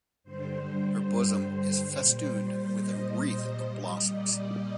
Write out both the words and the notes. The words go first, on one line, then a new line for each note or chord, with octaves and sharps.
Her bosom is festooned with a wreath of blossoms.
G2 D3 G3 C5
A#2 G3
D#5
A#2 G3 D#5
D5